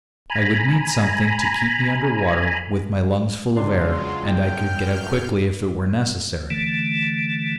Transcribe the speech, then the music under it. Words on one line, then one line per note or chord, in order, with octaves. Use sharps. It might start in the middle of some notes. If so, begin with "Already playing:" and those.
I would need something to keep me under water, with my lungs full of air, and I could get out quickly if it were necessary.
G#5 A#5 B5
C#2 F#3 G#3 D4 F4 C6
F#2 G5 F6 G6
D3 E3 A3